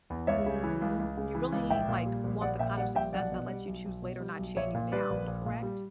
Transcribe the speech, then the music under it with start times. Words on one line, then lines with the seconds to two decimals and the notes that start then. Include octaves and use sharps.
Mhm, you really, like, want the kind of success that lets you choose later, not chain you now, correct?
0.10 E2
0.27 C#2 C#5 E5
0.46 C#3
0.64 E3
0.82 C#2
0.99 C#2
1.17 C#3
1.35 E3
1.52 C#2
1.70 A#1 E5 G5
1.88 A#2
2.06 G3
2.24 A#1
2.41 A#1 D5 F#5
2.59 A#2 E5 G5
2.77 G3 D5 F#5
2.96 A#1 E5 G5
3.13 B1 D5 F#5
3.32 B2
3.49 G3
3.67 B1
3.85 B1
4.02 B2
4.20 G3
4.39 B1
4.56 A#1 C#5 E5
4.75 A#2
4.92 G3 B4 D5
5.10 A#1
5.27 A#1
5.46 A#2
5.63 G3